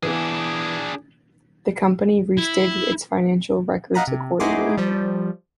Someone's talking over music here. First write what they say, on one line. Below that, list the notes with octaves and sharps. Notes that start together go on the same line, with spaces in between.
The company restated its financial reports accordingly.
E3 B3 D4 G#4
E4
D#5 F5 F#5 A#5 B5 D#6
C3
D#4 E4 F#4 G#4 C6 D6
F3 G3